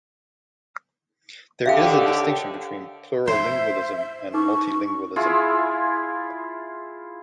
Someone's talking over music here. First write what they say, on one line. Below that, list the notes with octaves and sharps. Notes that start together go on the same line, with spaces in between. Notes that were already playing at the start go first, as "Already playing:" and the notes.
There is a distinction between plurilingualism and multilingualism.
D#2 D3 G4 E5 F5 G5
C5 E5
D#4 B4 C#6 D6
E4 F4 G#4